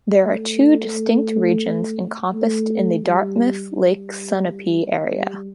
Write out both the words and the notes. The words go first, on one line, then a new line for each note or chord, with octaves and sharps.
There are two distinct regions encompassed in the Dartmouth-Lake Sunapee area.
A3
A3
G3
G3
G3